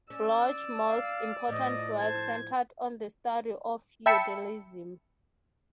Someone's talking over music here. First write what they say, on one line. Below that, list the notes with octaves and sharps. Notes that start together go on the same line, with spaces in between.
Bloch's most important work centered on the study of feudalism.
C#4 D5 E6
F5
A2 F3 D#5
C5 A5 G#6
E5 G5 A5 B5 E6 C#7